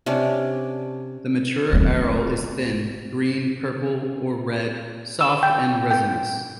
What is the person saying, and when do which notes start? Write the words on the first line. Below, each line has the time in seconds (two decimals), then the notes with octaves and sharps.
The mature aril is thin, green, purple or red, soft and resinous.
0.06 C3 C#4 D4
1.72 A3 C4
5.21 E6
5.43 G5
5.91 G5